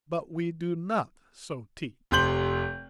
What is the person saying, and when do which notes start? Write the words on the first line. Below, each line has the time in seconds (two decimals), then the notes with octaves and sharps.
But we do not so teach.
2.11 F1 C3 C6 G6 F#7